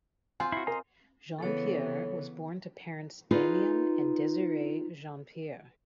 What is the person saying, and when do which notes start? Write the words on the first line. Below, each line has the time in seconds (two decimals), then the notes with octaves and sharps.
Jeanpiere was born to parents Damion and Desiree Jeanpiere.
0.40 C4 F4 G#5
0.52 E4 F#4 C7
0.67 A#4 D#5 G#5 A#5 C6
1.39 C#3 E3 B3 A4 C#5
3.31 D#4 F4 G#4 B4